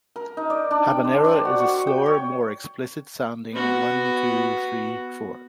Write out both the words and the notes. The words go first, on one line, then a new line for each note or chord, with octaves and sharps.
Habanera is a slower, more explicit sounding "one", two, "three"-four.
A#4
D#4
D5
D4
G5
C5
D5
F#4
C#6
G5
C#5
B3 F#4